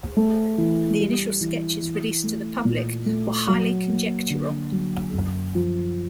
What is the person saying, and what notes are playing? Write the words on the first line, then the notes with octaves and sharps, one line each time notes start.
The initial sketches released to the public were highly conjectural.
A3
E3
G3
E3
E3
A3
A#2
A3
F#3
A#3
D3
F#3
F#2
F3